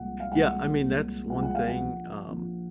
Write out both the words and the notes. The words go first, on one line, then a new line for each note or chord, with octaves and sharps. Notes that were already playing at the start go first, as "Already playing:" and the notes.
Yeah, I mean, that's one thing, um,
Already playing: C2 A#2 F3 G#3 F#5
F5
C2 A#2 F3 G#3 F#5
C2 A#2 F3 G#3
C2 A#2 F3 G#3 F#5
F#5
F5
F#5
A#1 A#2 F3
A#1 A#2 F3